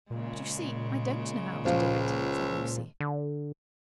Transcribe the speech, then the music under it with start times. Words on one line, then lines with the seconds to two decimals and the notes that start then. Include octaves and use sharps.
"But you see I don't know how to do it," said Lucy.
0.10 A#2 C#3 G#3
1.65 C#2 F3 F4
3.00 D3